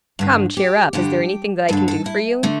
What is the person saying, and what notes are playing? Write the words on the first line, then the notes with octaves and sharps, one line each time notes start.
"Come, cheer up; is there anything that I can do for you?"
G2 D3
G4
G2 D3 G4
G2 D3 A4
A4
E4
D3 A3